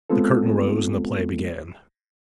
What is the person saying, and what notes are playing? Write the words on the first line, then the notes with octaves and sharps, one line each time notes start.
The curtain rose and the play began.
G#3 B3 C4 F4 A4